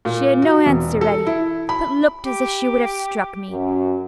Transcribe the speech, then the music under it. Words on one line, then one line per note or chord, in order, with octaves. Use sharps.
She had no answer ready, but looked as if she would have struck me.
A#2
F#4
E1
A4
E4
B5
G4
F#2